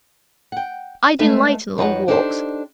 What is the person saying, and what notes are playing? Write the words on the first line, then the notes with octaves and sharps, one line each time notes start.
I delight in long walks.
F#5 G5
G#3 A3 A4 B4 E5 F5
F2 D#4 F#4 B4 C#5 F#5
D4 D#4 G4 A4 B4 C5